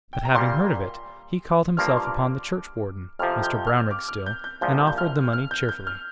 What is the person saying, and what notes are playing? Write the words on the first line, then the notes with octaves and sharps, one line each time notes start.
But, having heard of it, he called himself upon the churchwarden--Mr Brownrigg still--and offered the money cheerfully.
G5
A#5
A#2 G3 A#3 C6
G2 F3 A#3 F6
D6
C6
D6
F2 C3 F3 F6
G6
F6
D6
F6
G6
G6
C2 A#2 F3 G6
G6
F6
F6
G6
G6
F6